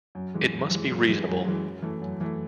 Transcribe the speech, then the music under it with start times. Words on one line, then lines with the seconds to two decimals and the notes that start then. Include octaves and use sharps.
It must be reasonable.
0.15 F#2
0.34 E3 G#3
0.53 F#2
0.71 E3 G#3
0.90 F#2
1.09 E3 G#3
1.27 F#2
1.45 E3 G#3
1.64 F#2
1.82 E3 A3
2.02 F#2
2.21 E3 A3